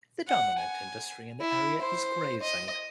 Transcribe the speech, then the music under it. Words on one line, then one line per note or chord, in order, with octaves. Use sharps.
The dominant industry in the area is grazing.
F#5
G#5
E4
C5
D#5